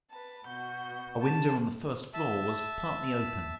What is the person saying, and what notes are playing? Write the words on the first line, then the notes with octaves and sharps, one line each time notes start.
A window on the first floor was partly open.
B4 A5
B2 F#4 G6
A5
E5 A5